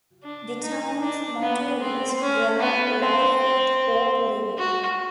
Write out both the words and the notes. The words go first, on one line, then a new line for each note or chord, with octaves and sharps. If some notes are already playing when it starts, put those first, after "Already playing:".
The town's motto is Where Life Is Worth Living.
D4
D#4
D4
B3
C4
C#4
B3
C4
F#4